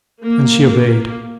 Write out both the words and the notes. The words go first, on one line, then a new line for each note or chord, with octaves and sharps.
And she obeyed.
A#3